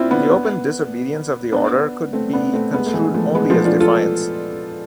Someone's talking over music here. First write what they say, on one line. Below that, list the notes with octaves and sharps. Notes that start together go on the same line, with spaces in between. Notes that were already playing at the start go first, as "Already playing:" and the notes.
The open disobedience of the order could be construed only as defiance.
Already playing: C4 D4 E4 F4
B3 D4
B3 D4
A3 C4
B3 D4
A3 C4
G#3 B3
A3
E3 G#3
F3 A3
G#3 B3
F3 A3
D4 F4
F4 A4